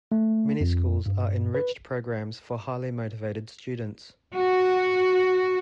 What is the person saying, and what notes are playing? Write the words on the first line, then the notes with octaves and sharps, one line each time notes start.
Mini schools are enriched programs for highly motivated students.
A3
F2
G2
B4
F#4